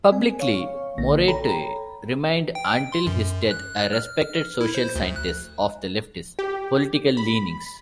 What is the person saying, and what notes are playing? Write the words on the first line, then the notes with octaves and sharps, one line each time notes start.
Publicly, Morote remained until his death a respected social scientist of leftist political leanings.
C4 G#5
C#5 F5 C#6
A#1 D3 A#3 A#6
A4 C#5 G5 A#5 B5
G5
C6
F#2
F#6
F6
E4
C5
D2
F#6
G4
B5